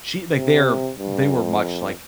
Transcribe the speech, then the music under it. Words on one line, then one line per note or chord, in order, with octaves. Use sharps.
she like, they're they were much, like,
C3
G2
F2